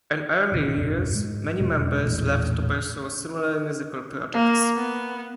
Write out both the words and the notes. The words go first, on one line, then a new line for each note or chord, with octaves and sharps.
In early years, many members left to pursue similar musical projects.
A1 D#2 C3 D#3
E1 B1 F#2 B3
G#2 G#3
F1 E2 B2 G#3
E1 A#1 E2 A2
A#3
B3